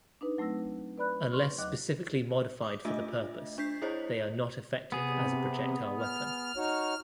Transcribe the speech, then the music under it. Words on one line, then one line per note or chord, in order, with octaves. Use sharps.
Unless specifically modified for the purpose, they are not effective as a projectile weapon.
D4 D#4 B4
F#3 A3 C4 E6 A#6
B4 D5 B5 F#6
C6 C#6 F6
D#2 F#3 D#5 D6 F#6
D6 D#6
A3 D4 F4 D#5 E5
D4 G6 B6 C7
E4 G#4 C5 C#5 D#5
C3 B3 G#4
F6
D#4 F#4 C#5